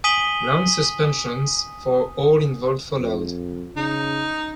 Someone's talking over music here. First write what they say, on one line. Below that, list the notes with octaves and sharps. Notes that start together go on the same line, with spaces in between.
Long suspensions for all involved followed.
G#5 D#6 B6 D#7 F#7 G7
F2
C#3 D#4